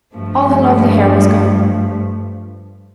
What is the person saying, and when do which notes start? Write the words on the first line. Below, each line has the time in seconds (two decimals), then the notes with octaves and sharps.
All her lovely hair was gone!
0.15 G2 F3 A3